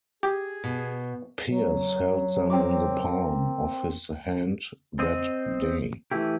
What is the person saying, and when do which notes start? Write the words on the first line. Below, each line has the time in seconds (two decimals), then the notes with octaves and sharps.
Pierce held them in the palm of his hand that day.
0.23 G4 G#4
0.64 B2
1.47 F#3
2.50 C4 A#4 D6
4.99 C4 C5 D#5
6.11 E3 A3 E4 G4